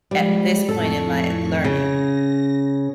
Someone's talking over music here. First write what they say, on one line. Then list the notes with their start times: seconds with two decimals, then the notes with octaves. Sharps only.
at this point in my learning,
0.11 F3 G3 G#3
0.69 F2 A2 A4 C#6
1.64 C#3 A#6